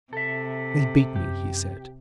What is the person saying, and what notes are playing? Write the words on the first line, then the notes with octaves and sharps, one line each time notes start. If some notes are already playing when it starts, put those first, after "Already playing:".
"They beat me," he said.
C3 A4 E5
F#2 G4